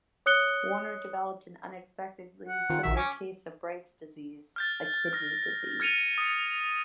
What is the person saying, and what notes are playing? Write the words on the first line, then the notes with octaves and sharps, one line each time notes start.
Warner developed an unexpectedly severe case of Bright's disease, a kidney disease.
C#5 D#6 F#6 C#7 G7
F#5
D#3 C4 F4
A#1 D#3 F#4 E5
C#4 G#5 C#6 D6
F6 G6 A6
F6 A#6
F6 G#6 C#7 D#7 F7
D#6 C#7